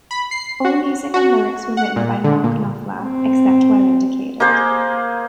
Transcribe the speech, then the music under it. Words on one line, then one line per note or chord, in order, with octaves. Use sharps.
All music and lyrics were written by Mark Knopfler, except where indicated.
B5
C7
F#4
F#4
F#5
A#2
D3
A#2
C4
A#3 G#4 C5